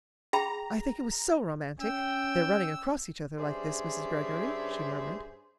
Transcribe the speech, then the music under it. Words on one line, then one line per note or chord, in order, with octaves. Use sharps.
"I think it was so romantic--their running across each other like this, Mrs. Greggory," she murmured.
G#4 G5 A#5 B5
C#4 G5 E6
G2 C#4 G#4 C5 D5 E5